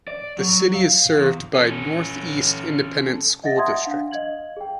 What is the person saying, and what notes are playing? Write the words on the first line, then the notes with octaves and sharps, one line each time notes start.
The city is served by North East Independent School District.
D5
F#3
F5
E2
C#4 A4
D#5 E5 F#5 A6 A#6
E5 F#5 A5 C6 D#6 G#6
D4 F5 F#5
D#5 F5 G#6 F#7
G#4 G5